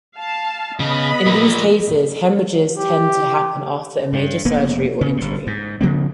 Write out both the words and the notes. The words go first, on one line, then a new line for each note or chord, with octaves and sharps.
In these cases, haemorrhages tend to happen after a major surgery or injury.
F5 A5
C#3 B3 D#5 B5
F3 A#3
G4
G2
F1 A#3 B3
C#3 C#4
G1 G2
G#2
C#3 F3 A#3 C4